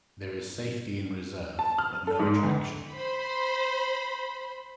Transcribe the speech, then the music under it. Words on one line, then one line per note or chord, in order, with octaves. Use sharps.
There is safety in reserve, but no attraction.
A5
F6
A4
G#2
G1
C5 B5